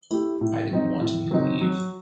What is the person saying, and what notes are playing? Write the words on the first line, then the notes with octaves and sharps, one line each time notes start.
I didn’t want him to leave.
A3 E4 G4
A2
F#3 C4 D#4
A2
F#3 C4 D#4
F#3